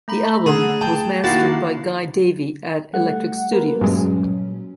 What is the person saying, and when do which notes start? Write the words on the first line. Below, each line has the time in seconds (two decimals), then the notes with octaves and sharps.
The album was mastered by Guy Davie at Electric studios.
0.08 A3 A#5 B5
0.46 D3 G#4
0.81 G5 A5
1.24 D#3 A#3 E4 F#4 F5 A5 C7
2.93 G3 A3 F#5
3.52 A#3 A#4 B4
3.81 G2 A#2 F#3 G#3 C#4